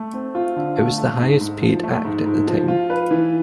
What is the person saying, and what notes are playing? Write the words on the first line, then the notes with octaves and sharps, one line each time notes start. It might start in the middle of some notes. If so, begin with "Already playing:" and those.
It was the highest paid act at the time.
Already playing: A3
C4
F4
D3
A3
A3
G#2
G#2
F3
A3
G#2
G#2
F3
F4
B4
E3